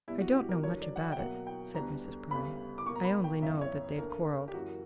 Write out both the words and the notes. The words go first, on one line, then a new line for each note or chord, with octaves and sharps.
"I don't know much about it," said Mrs. Prime; "I only know that they've quarrelled."
B2 G3 B3 E4
F#4
G4
A#4
E2 D3 F#3 C#5
D5
F#5
E5
G5
B2 F#3 A#3 F#5
G5
D2 D3 G3 B3 A#5
D2 C#3 G3 B3 B5
D6
B2 A#3 C#6
A#5
B5
G5
F#2 C#3 E3 B3 E5
C#5
D2 D3 A#3 A#4
G4
F#2 E3 A#3 F#4